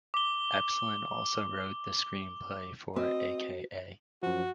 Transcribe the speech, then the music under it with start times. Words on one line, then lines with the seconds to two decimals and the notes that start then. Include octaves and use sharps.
Evslin also wrote the screenplay for A.k.a.
0.14 D6 G7
2.96 C4 F#4 D#5
4.23 F#2 F3 F#4